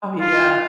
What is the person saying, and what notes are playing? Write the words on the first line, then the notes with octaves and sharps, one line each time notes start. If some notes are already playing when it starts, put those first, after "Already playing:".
Oh, yeah.
F4